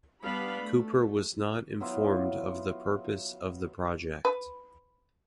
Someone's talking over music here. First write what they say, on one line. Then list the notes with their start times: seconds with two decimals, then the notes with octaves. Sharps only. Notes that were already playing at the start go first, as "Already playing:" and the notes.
Cooper was not informed of the purpose of the project.
0.23 G3 B3 D4 F5 B5
0.61 A3
1.80 F#3 B3 E4 F4
4.25 B4